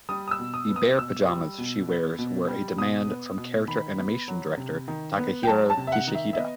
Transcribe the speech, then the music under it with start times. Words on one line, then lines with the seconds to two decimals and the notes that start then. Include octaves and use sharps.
The bear pajamas she wears were a demand from character animation director Takahiro Kishida.
0.09 G3 D#6
0.28 D#6
0.31 E6
0.39 B2
0.54 D#6
0.69 B3
0.76 D#6
0.98 B2 E6
1.29 G3
1.58 B2
1.89 B3
2.19 B2
2.48 G3
2.78 B2 D#6
3.08 B3
3.38 B2
3.68 D#3 B5
3.98 B3
4.28 F#3
4.57 C3
4.88 D#3
5.18 B3
5.43 G5
5.47 F#3 A5
5.70 A5
5.77 C3
5.87 E5
5.92 F#5
6.07 D#3
6.15 E5
6.33 E5
6.37 B3 D#5